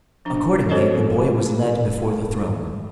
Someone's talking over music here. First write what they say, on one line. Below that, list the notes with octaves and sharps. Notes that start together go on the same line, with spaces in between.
Accordingly, the boy was led before the throne.
F3 D4
F3 C4 F#4 A4 C#5 D#5